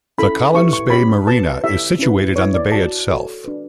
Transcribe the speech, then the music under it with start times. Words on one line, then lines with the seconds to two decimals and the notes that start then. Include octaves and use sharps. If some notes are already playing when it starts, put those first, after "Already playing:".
The Collins Bay marina is situated on the bay itself.
0.18 C#4 E4 A4 B5
0.55 E4 G4 B4 C#6
0.73 C#6
0.90 C#4 G4 C#5 B5
1.27 F#4 B4 A5
1.63 E4 G4 C#5 E5
1.99 C#4 E4 B4
2.36 E4 B4 C#5
2.54 D5
2.72 F#4 C#5 A5
3.08 F#4 A4 C#5
3.44 D4 F#4 B4